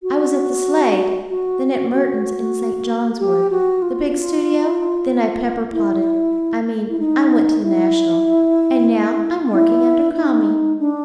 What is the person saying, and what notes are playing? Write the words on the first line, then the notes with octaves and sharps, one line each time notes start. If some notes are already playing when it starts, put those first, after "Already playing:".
I was at the Slade, then at Merton's in St. John's Wood, the big studio, then I pepper-potted,--I mean I went to the National,--and now I'm working under Kami.'
F#4
F#4
F#4
G4
F#4
F4
E4
E4
D#4
E4
E4
D#4
D4